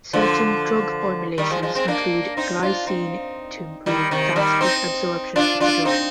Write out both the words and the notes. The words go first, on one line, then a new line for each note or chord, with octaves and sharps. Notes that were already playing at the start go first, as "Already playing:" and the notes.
Certain drug formulations include glycine to improve gastric absorption of the drug.
D3 F3
D#3 G3
F3 G#3
F3 G#3
G#3 C4
A#3 D4
C4 D#4
D4 F4
C4 D#4
D#3 G3
C3 D#3
D#3 G3
C4 D#4
D4 F4
D4 F4
C4 D#4